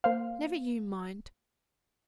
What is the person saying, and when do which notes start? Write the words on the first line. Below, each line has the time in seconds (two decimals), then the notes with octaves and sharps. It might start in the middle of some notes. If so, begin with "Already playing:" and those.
'Never you mind.
0.04 A#3 C5 F5